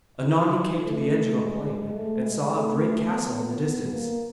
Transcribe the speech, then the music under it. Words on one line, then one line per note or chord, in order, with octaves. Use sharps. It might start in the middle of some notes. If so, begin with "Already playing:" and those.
Anon he came to the edge of a plain, and saw a great castle in the distance.
E4
D#4
A3
G#3
G#3
A3
G#3
A3
B3
B3
A#3